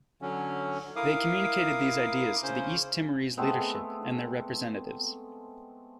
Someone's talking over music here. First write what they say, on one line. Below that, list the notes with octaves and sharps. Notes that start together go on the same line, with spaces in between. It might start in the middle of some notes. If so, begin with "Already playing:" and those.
They communicated these ideas to the East Timorese leadership and their representatives.
D3 F#3 C#4
E4 A#4 F5 D6 D#6
C#3 C#4 C5
G#3 A3 B3 C4